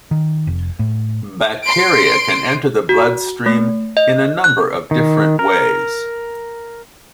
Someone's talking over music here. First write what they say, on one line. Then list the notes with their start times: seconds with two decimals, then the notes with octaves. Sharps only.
Bacteria can enter the bloodstream in a number of different ways.
0.11 D#3
0.47 F1
0.79 A2
1.64 C6 D7
2.89 F#4
3.46 A3
3.97 D#5
4.44 F#6
4.91 D#3
5.39 A#4